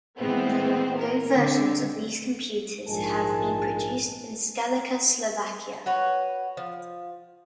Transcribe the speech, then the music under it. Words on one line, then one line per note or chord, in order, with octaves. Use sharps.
Both version of these computers had been produced in Skalica, Slovakia.
A#2 E3 G#3 A3 B3 C4
A#4
D3 C4
A#1 G#2 G#3 A#4 G#5 A5
F#4 B4 C#5
F3